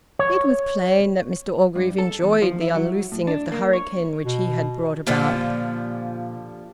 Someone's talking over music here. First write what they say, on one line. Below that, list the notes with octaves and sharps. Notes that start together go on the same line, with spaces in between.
It was plain that Mr Orgreave enjoyed the unloosing of the hurricane which he had brought about.
C#5
G2
A4
E2
F3
E4
F#3
A2
D4
A#3
C#5
B2
A#2 D3 F3 G3